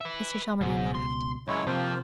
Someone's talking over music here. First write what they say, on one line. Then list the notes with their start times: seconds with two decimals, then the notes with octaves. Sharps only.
Mr. Shelmardine laughed.
0.01 B4 E5
0.61 C#2 G#2 B2
0.95 C6
1.48 C#2 F#2 G#3 E4 C#5
1.67 C3 F3 A#3 C4 F4 C5